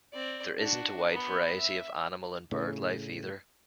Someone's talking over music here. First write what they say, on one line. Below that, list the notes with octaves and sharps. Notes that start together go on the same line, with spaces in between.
There isn't a wide variety of animal and bird life either.
C4 D5
D4 F#4
B3
E5
A2 C#3